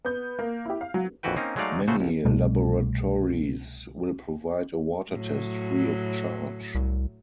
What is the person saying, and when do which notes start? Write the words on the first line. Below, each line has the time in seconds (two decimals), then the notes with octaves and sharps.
Many laboratories will provide a water test free of charge.
0.05 B3 G6
0.39 A#3
0.65 E4 G4
0.81 F5
0.94 F#3
1.23 A#1 F2 E3 F#4 B4 G5
1.36 A#3 C4 C#4 D#4
1.56 F#3 G#3 A3 D#4 D5 F5
1.88 C#3 A3 F#4 C5
2.00 C2
2.25 C2 B2 G3 A3
5.12 A2 F#3
6.75 C2